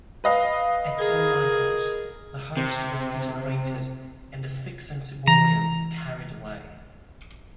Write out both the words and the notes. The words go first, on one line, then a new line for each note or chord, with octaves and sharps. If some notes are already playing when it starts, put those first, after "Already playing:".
At Saint Michael's, the Host was desecrated, and the pyx and ciborium carried away.
B4 D#5 F5
G#4 A#4
C3
E3 A#5